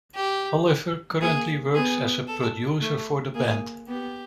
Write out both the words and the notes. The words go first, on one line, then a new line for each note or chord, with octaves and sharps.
Oliver currently works as a producer for the band.
G4
A#3 G#4
B3 G#4
A4
A3
A#3 G#4
B3 G4